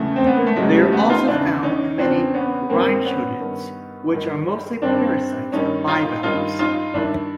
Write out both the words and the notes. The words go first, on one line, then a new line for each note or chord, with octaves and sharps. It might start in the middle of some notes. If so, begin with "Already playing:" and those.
They are also found in many rhynchodids, which are mostly parasites of bivalves.
Already playing: E2 C#3 E3 A3
C4
B3
A#3
A3
E2 C#3 E3 F#3 G#3
G3 A3
A3 B3
D#4 F4
E2 C#3 E3 D4 E4
C#4 D#4
E2 C#3 E3 C4 D4
B3 C#4
G2 D#3 A#3 C4
B3 C#4
G2 D#3
G2 D#3
G2 D#3 C4 D4
G2 D#3 C#4 D#4
D#4 F4
G2 D#3 D#4 F4
D#4 F4
G2 D#3 D4 E4